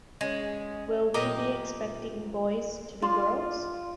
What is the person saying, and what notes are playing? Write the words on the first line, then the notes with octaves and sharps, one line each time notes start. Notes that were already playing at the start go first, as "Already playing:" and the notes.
Will we be expecting boys to be girls?
G#3 C#4
F#2 A#2 G4 A#4 D#5 A#5
F4 D5 C6